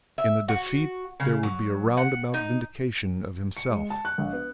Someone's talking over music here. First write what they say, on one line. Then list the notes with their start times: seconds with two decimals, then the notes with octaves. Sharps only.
In a defeat there would be a roundabout vindication of himself.
0.18 E5
0.48 F#4
1.20 C#3
1.43 F#3
1.97 F#5
2.34 D#4
3.57 C#7
3.70 G#3
3.90 A5
4.05 F#6
4.18 A#1
4.33 B3